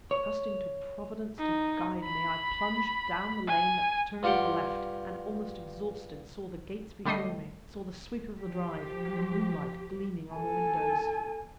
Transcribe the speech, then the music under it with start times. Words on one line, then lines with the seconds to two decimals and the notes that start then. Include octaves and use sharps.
Trusting to Providence to guide me, I plunged down the lane that turned to the left, and, almost exhausted, saw the gates before me--saw the sweep of the drive, and the moonlight, gleaming on the windows!
0.11 C#5
1.38 D#4
2.04 B5
3.47 G#5
4.23 G2 F4 G4 F#5 G5 C6
7.05 D3 G3 A3 D#5 C7
8.40 F3 G4
10.34 A4 G#5